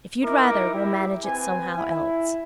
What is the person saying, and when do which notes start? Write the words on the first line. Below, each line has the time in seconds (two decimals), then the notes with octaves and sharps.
If you'd rather, we'll manage it somehow else.'
0.24 D#4 E4 A#4 E5 D6
0.74 E4 G4
1.26 C4 B4 G#5
1.77 E4